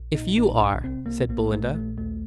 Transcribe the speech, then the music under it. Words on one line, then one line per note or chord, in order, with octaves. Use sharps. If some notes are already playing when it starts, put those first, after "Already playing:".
"If YOU are," said Belinda.
Already playing: A#1
A#2 D#4
A#1 D#4
C2 D4
C3 C4
C2 A#3
A#1 A#3
A#2 A3
A#1 A3
D#2 A3